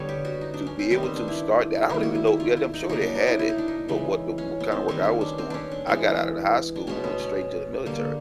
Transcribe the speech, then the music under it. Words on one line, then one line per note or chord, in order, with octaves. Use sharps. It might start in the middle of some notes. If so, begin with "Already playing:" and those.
to be able to start that I don't even know yeah, I'm sure they had it, wh what the w the kinda work I was doing, I got outta the high school, went straight into the military,
Already playing: D3 G3 B3 C#5
G4
F#4
D#4
D4
C#4
C4
D#3 G3 B3 C4
C4
D4
E4
D#3 G3 A#3 E4
F#4
E4
E4
F4
E4
D#4
C#3 F#3 A#3 D#4
D4
D#4
E4
E4
D#4
D4
D#4
C#3 E3 G#3
C#4
B3
C4
D#3 G3 B3 C4
C#4
D4
C4
C#4 D4
D4
E3 G#3 B3
D4
B2 G#3 B3 C#4
B3
C#4
D3 G3 A#3